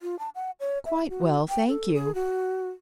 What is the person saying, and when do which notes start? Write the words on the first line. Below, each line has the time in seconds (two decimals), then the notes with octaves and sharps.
"Quite well, thank you."
0.02 F4
0.19 A5
0.35 F#5
0.60 C#5
0.86 E5
1.09 F#4
1.49 G5
1.68 A4
1.94 G#4
2.15 F#4